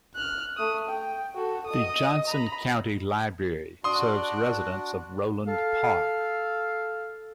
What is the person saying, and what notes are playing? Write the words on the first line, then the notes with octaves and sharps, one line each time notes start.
The Johnson County Library serves residents of Roeland Park.
F6 F#6
A3 D#6
G5
F#4 A4
D#5 D#6
A#5 B5
D4 F#4 D5 C6 D#6
A4 F5